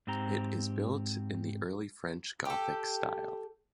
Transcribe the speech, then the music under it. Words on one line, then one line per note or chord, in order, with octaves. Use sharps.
It is built in the early French Gothic style.
G#2 C4 G4 A#5
G4 A4